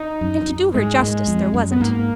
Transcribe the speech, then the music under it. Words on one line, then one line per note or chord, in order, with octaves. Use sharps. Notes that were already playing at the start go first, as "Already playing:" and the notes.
And, to do her justice, there wasn't.
Already playing: D#4
F#2
F2
F#2
G#2 G#3
A#2
G#2
F2
F#2
B3
G#2 A#3